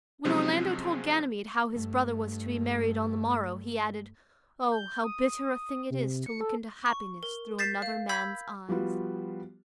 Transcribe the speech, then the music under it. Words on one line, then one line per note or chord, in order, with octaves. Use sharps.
When Orlando told Ganymede how his brother was to be married on the morrow, he added: "Oh, how bitter a thing it is to look into happiness through another man's eyes."
C3 F3 F#3 G#3 C4 C#4
G2 A3
G6
D#6
C3
C#7
A4
C#6
A#4
G6 A6 B6 C7 E7
F5
B5 E6 G6 G#6 B6
F3 G3 B3 F4 F#4